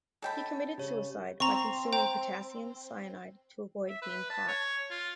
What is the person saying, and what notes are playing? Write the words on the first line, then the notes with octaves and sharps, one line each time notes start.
He committed suicide by consuming potassium cyanide to avoid being caught.
A4 C#5 D#5 G5 A5 B5
C#3 G4 C#5
C4 A#5 C#6
C5 G5 A#5
E5
B4
A5
C#5
F4